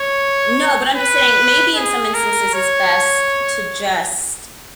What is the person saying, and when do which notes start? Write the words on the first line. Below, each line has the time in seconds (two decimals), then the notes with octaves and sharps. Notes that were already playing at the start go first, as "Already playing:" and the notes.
No, but I'm just saying maybe in some instances it's best to just
Already playing: C#5
0.96 B4
1.75 G#4
2.14 A#4
2.54 C#5